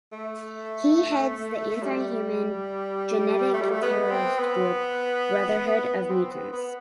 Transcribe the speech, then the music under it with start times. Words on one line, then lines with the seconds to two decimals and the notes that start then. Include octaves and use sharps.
He heads the anti-human, genetic terrorist group Brotherhood of Mutants.
0.12 A3
1.83 G3
3.54 A3
3.61 G3
3.70 A3
3.82 B3
4.11 C4
4.39 B3
6.10 C4
6.31 B3
6.52 B3